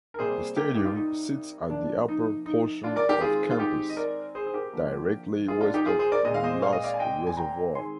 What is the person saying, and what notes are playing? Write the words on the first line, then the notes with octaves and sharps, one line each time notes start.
The stadium sits at the upper portion of campus, directly west of Lusk Reservoir.
A#4
C3 G3 A#3 G#4 C5
G4 A#4
D#4 G4
F4
D#4
C3 F3 A#3 D4
D#4
D#4
D4 F4
A#4 D5
G4 A#4
D#3 G#3 C4 F4 G#4
F4
D#4 G4
D#5
A#4 D5
G#4 C5
G#4
G4 A#4
D3 F3 A#3
F4 G#4
D4 F4
D#4 G4
F4 G#4
G#4 C5
A#4 D5
A#2 G#3 C4 D#5
F5
C5 D#5
F5
D#5
D5 F5
G#5
D#5 G5
G#5
G5 A#5
D#3 G#3 C4 G#5 C6